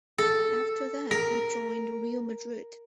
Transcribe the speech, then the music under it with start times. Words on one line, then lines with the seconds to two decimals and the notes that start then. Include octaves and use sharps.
After that, he joined Real Madrid.
0.18 A4
1.11 A#4